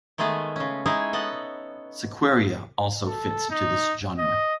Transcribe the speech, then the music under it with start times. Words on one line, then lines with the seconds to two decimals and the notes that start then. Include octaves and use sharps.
Sequeira, also fits into this genre.
0.18 D#3 G#3 A3 B3 G#4
0.56 C#3 C#4
0.86 G#3 D#4 E4 G#4 C#5
1.13 B3 A4 D#5 F#5
3.06 A4
3.50 D#4
4.18 D#5